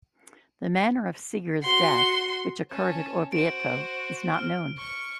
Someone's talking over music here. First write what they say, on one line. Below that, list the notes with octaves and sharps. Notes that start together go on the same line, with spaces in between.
The manner of Siger's death, which occurred at Orvieto, is not known.
F#4 C6
C#4 A5
F#4 C5 D7
F6
C#6 C#7